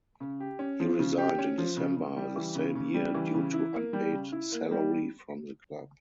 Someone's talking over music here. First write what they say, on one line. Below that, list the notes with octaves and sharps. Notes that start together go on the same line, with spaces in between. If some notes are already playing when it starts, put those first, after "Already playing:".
He resigned in December the same year due to unpaid salary from the club.
C#3
G4
C#4
F3
C#3
G4
C#4
F3
C#3
C#3
G3
E3
C#3
C#3
G3
E3
C#3
E4
A#3
G3
C#3
E4
A#3
G3